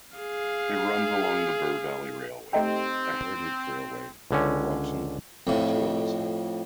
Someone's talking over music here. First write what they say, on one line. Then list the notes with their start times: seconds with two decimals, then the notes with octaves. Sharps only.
It runs alongside the Bure Valley Railway, a heritage railway from Wroxham to Aylsham.
0.17 G#4 F5
2.53 A3 C4 D#4 G4
4.31 C#2 D3 C#4
5.47 F2 A2